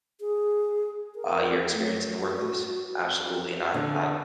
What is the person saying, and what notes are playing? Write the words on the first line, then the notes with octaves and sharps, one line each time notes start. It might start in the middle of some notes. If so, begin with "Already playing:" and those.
uh, your experience in the workplace. Absolutely, and I I
G#4
A#4
A3
F#4
D3